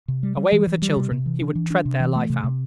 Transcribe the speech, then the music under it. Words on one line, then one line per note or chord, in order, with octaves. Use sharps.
Away with the children: he would tread their life out!
C3
G3
G3
E3
E3
G3
C3
C3
E3
D4
E3
D4
C3
E3
A3
C3
C3